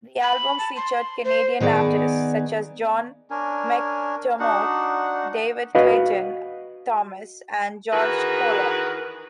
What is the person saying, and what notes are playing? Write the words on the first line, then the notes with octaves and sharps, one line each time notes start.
The album featured Canadian artists such as John McDermott, David Clayton-Thomas and George Koller.
B5
A5
C6
C5
D#3 B3 G#4 D5
C#4 D4 A#4 G#5
D4 D#4 F#4 F#5
F#4 B4 D#5 F5
D#3 E3 F#4 G#4 A#4 B4